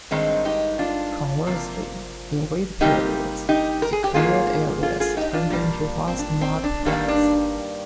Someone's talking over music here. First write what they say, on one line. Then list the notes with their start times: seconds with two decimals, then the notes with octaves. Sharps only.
Conversely, in wet periods, the cleared areas turned into vast mud flats.
0.11 G2 D#3 G#3 C4 D#4
0.45 D#4 G4
0.79 D4 F4
1.46 C3 F3 A#3
2.81 C3 G3 A#3 D#4 G4
3.49 D#4 G4
3.82 A#4
3.93 G#4
4.04 G4
4.14 G#2 D#3 A#3 F4 G#4
4.83 F4 G#4
5.00 F4 G#4
5.17 D#4 G4
5.33 D4 F4
5.50 A#2 G3 A#3 D4
6.08 C4
6.18 D4
6.41 C4
6.64 D4
6.85 G2 D#3 G3 A#3 D4
7.08 D4